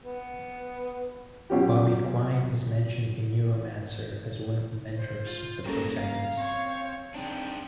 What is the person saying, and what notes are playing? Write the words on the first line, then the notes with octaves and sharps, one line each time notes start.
Bobby Quine is mentioned in "Neuromancer" as one of the mentors of the protagonist.
B3
B2 F#3 C#4 F4 G4
C5
F4
G3 A#3 C#4 F#4 G#4 A4 A#5
F5
C4 C#5
C4 D4 D#4 G#4 G5